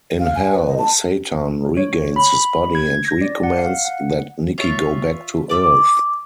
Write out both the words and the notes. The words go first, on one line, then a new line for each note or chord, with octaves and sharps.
In Hell, Satan regains his body and recommends that Nicky go back to Earth.
F5
G#5
B4
D#5
A5
C#5
B5
G#6
A#6
D5
F#5
F5
F#5
F4 C#5 E5
D5 D6 E6